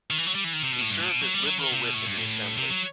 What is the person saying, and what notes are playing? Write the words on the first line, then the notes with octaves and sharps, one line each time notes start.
He served as Liberal whip in the assembly.
D#3
E3
F#3
G3
E3
D#3
C3
B2
A2
G2
A2
B2
F#3
G3
F#3
D#3
C3
B2
A2
G2
A2
C3
F#3